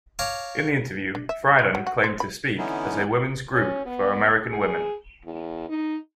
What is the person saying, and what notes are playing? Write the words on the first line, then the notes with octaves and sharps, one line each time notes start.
In the interview, Friedan claimed to speak as a women's group for American women.
C#5 F5 A5 A#5 D6
D4
E5
C4
F#3
F#4
C5
B5
D3 E3 B3 C#4 D#4 E4
C#4
B3
G#4
E2
D#4